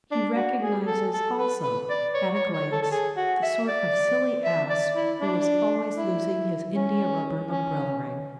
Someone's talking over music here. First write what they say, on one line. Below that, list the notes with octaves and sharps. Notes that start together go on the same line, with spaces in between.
He recognizes also at a glance the sort of silly ass who is always losing his indiarubber umbrella ring.
D4
F#4
G#4
A4
A4
B4
B4
D5
C#5
C#5
C#5
A4
A4
G#4
F#4
E5
D5
E5
D5
E4
D4
E4
C#4
C#4